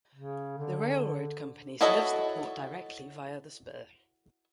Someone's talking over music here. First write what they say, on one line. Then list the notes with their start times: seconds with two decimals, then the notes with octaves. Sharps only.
The railroad company serves the port directly via the spur.
0.15 C#3
0.58 D3
1.81 E4 F#4 A4 C#5 D#5